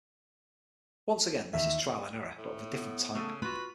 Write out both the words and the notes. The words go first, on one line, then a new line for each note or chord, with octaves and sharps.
Once again this is "trial and error", but of a different type.
D#2 E5
A2
B3
C#3 A3 A4
F4 F#4 B4